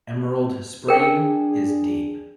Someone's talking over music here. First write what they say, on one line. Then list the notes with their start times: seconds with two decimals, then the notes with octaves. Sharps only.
Emerald Spring is deep.
0.88 D4 G#4 A#4 G5